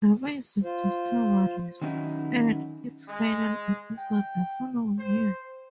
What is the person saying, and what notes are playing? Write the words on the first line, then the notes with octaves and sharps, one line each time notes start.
"Amazing Discoveries" aired its final episode the following year.
F4 C5
D#3 F#3 C#4 D#4 E4
G#3
G5
C5